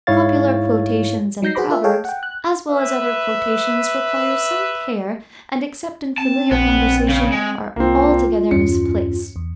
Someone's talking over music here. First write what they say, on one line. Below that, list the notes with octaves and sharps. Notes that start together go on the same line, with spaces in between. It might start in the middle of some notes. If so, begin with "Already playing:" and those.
Popular quotations and proverbs, as well as other quotations, require some care; and, except in familiar conversation, are altogether misplaced.
G#2 E4 C#5 F5 A6
F#3 D#4 G6 A#6 C7
F#4 G#4 B4 C5 B5 D6
F4 A#4 E5
G#4 A4 C#5 F5 G5 A5
F#5 G5
F#6
B4 E5
C4 A5
A#1 B3
C#3
G#3
C2 A#3 C4 F4
E2 G2 C#4 C#7
E2